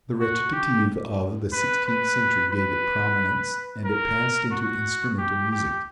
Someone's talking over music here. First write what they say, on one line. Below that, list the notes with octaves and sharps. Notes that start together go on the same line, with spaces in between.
The recitative of the sixteenth century gave it prominence, and it passed into instrumental music.
F#4
G4
B4
B4
B4
A#4
F#4
G4
G4